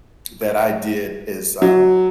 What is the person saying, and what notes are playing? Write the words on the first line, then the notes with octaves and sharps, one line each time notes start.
that I did is, um,
F#3